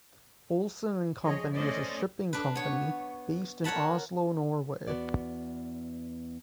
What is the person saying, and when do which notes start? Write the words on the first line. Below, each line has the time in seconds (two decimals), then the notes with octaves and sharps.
Olsen and Company is a shipping company based in Oslo, Norway.
1.24 F3 G#4 C#5 D#5
1.54 A3 C#4 C5 D5 D#5
2.33 D4 B4
2.55 B3 C#5
3.64 A#4 C#5 F#5 A5 B5
4.87 E2 G2 B3 F#4 D5